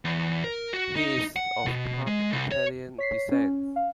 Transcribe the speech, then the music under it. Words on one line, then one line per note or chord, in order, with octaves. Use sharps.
He is of part Italian descent.
E2
A#4
F#4
D#4
F#5
B2
G#3
C2
C#5
C#5 B6 C7
C#4
F5